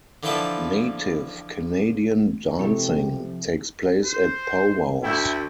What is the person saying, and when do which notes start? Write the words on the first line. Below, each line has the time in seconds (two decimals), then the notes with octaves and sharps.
Native Canadian dancing takes place at pow wows.
0.23 D3 E3 F3 B4 G5 A5
2.59 C3 F3 E4 G4 A4
4.05 C5
5.03 D2 E4 G5 G6